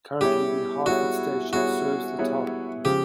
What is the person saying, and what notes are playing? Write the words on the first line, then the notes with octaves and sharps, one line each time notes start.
Currently, the Hartford station serves the town.
G3 B3 E4 G4 G#4 C#5
G3 B3 E4 F#4 G#4 C#5
G3 B3 E4 F#4 G#4 C#5
G3 B3 E4 G#4 C#5
C#3 F3 G#3 G4